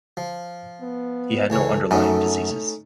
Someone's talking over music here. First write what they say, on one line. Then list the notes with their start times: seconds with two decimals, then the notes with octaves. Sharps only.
He had no underlying diseases.
0.17 F3
0.82 B3
1.50 C#2 E3 A4 C#5
1.91 F#2 A3 C#4 D#4